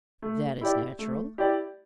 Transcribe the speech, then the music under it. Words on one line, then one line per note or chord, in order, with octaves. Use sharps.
"That is natural."
A3
E4 G4 D5
A3
E4 G4 D5